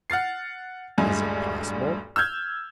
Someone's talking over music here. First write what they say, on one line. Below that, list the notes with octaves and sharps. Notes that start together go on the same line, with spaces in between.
"Is it possible?"
F#5 F6 A6 C7
D#1 D2 G2 G#3 G#5
E6 F6 G6 G#6